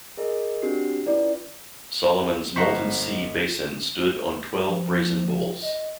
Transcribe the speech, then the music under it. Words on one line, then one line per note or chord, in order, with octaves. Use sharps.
Solomon's "Molten Sea" basin stood on twelve brazen bulls.
G#4 A#4 D#5
C4 D4 F#4 G4 C7
C#4 E4 F4 B4 D5
G1 F3 C5 D#5 F#5 A#5 C#6 B6
F3
D#5